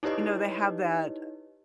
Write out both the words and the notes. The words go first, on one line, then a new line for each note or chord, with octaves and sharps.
you know, they have that, uh,
D#4 E4 G4 B4 C#5 D#5